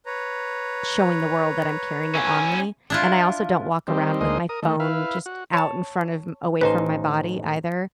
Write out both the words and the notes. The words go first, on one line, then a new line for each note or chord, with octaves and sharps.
showing the world that I'm carrying it on me, and I also don't walk around with my phone just out in front of m away from my body either,
B4 C#5 A#5
C#4 E4
D4 E4 F4
D#3 G3 C4
D2 G#3 A#3 D#4 C5 D#5
A#4 D#6
D#3 A3
E4 B4 F5
F#4
C#5 A5
A1 D#4 B4 C5